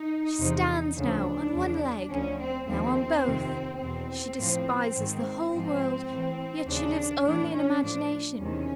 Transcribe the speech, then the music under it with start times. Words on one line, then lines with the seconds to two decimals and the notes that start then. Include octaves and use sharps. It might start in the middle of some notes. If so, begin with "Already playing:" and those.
She stands now on one leg, now on both; she despises the whole world; yet she lives only in imagination.
Already playing: D#4
0.39 E2 C3 F3
0.96 D2 C#3 F3 D4
1.53 E2 C#3 F3
2.10 D2 D3 F3 C#4
2.39 C4
2.67 D#2 D3 F3 C4
3.25 F2 C3 D#3
3.82 E2 B2 C4
4.39 A2 F3
4.96 G#2 D#3
5.52 G#2 F3 C4
6.10 A2 E3
6.67 D#2 C#3 F3 D4
7.24 A2 E3 D4
7.53 C#4
7.81 A2 F3 D4
8.39 E2 C3 D#3 C#4